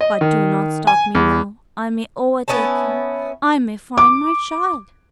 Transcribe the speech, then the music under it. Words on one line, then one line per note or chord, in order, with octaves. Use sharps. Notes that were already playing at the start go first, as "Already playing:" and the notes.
"But do not stop me now--I may overtake him--I may find my child!"
D#5
D#3
G#5
E2
B3 C#4 E4 A5
D6